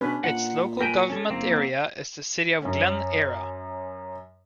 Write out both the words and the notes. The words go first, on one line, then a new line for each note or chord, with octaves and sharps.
Its local government area is the City of Glen Eira.
B2 C#4 D4 B4
A#2 F#5
A#4 B4 G5 G#5
C#4 A4
F#1 A#3 C4
F#2 C#4